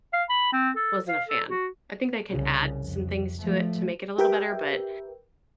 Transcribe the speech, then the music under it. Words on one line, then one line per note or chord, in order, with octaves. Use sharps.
wasn't a fan. I think they can add some things to it to make it a little better, but,
F5
B5
C4
A4
F5
A4
F#4
C2 C#3
F2
F3 A3
G4 A#4 B4 E5 G5